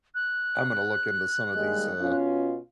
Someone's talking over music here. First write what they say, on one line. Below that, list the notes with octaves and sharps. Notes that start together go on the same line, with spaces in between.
I'm gonna look into some of these, uh
F#6
D#2 G3 G#3
B2 C#4 F4